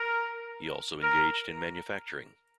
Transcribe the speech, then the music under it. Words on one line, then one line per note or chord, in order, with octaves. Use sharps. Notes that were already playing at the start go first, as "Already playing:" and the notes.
He also engaged in manufacturing.
Already playing: A#4
A#4